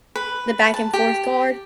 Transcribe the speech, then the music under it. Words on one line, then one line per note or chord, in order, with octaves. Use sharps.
The back-and-forth guard.
B4
A5
G4